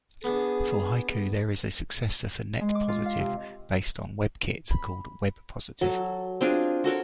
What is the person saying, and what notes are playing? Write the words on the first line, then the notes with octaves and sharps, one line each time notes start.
For Haiku there is a successor for NetPositive, based on WebKit, called WebPositive.
B3 D4 G#4
G#3
D6
F4
F5
C3
B5
F#3 A4
C4 D4 F4 G#4
F#4 A4 A#4 C#5